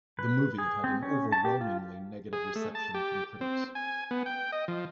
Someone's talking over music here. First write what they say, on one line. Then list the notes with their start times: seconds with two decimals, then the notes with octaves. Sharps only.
The movie had an overwhelmingly negative reception from critics.
0.19 B4
0.58 G#4
0.84 C4
1.03 C#4
1.32 A5
1.45 G4
1.61 F4
2.33 G#4
2.56 A3
2.75 A5
2.94 G4
3.41 C4
3.75 G#5
4.11 B3
4.26 G5
4.52 D#5
4.68 F3